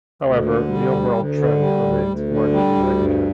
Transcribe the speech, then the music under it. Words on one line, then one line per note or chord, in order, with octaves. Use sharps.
However, the overall trend remains largely negative.
D2
D3
G3
D2
D2
D3
G3
D2
D2
D3
G3
D2
G2